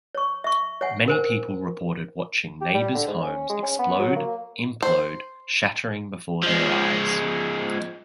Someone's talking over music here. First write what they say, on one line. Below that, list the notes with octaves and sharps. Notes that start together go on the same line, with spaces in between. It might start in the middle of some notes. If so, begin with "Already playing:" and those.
Many people reported watching neighbors' homes explode, implode, shattering before their eyes.
C#5 C#6
E5 C#6
C#5 E5 F#5 G#5
A#4 C5 G#5
G4
G3
D3
G#2
C#4
G#3
C#4
B3
F#3
A#3
C5
F3 G#3